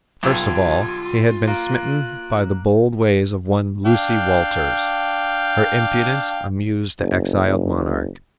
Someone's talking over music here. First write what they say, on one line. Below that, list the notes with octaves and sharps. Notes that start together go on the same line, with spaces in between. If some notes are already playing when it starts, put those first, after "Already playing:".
First of all, he had been smitten by the bold ways of one Lucy Walters. Her impudence amused the exiled monarch.
B1 D3 G3 F4 G#6
A#3 F#6
D4 F5 G5
F#1